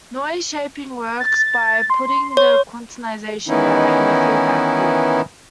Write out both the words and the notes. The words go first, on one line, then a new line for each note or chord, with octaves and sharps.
Noise shaping works by putting the quantization error in a feedback loop.
A6
C6
C#5
D#3 E3 B3 C#4 D#4 E4